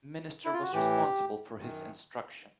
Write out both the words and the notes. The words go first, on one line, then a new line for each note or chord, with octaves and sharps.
Minister was responsible for his instruction.
E4
F4
F#4
A2 E3 G4
F#2 D#3